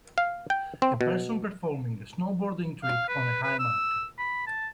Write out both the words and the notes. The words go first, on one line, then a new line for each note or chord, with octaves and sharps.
A person performing a snowboarding trick on a high mountain.
F5
G5
C4
B2
F5
B4
B4
E6
B5
A5